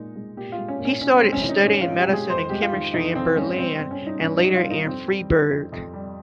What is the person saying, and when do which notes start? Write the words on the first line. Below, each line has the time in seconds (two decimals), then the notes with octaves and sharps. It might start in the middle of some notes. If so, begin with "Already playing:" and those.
He started studying medicine and chemistry in Berlin and later in Freiburg.
Already playing: A#2 G#3 D#4
0.16 G#3
0.37 A#2 G4
0.52 F4
0.58 G#3
0.68 C#4
0.79 A#2
0.85 C#4
1.01 G#2 C#4
1.17 C4
1.23 G#3
1.33 C#4
1.44 D#3
1.49 D#4
1.65 G#2 C#4
1.81 F4
1.87 G#2
1.98 G4
2.08 G#3 G#4
2.30 F2 C5
2.49 G#3 G4
2.62 F4
2.72 D#3
2.94 F2 D#4
3.15 F2 C4
3.36 G#3 C#4
3.58 G3 C4
3.74 C4
3.79 G2
3.91 C#4
4.01 G3
4.07 D#4
4.22 G2 C#4
4.38 D#4
4.44 G3
4.55 F4
4.65 G2 D#4
4.86 F2 C4
5.08 G3
5.30 D#3
5.51 F2
5.72 F2
5.93 G3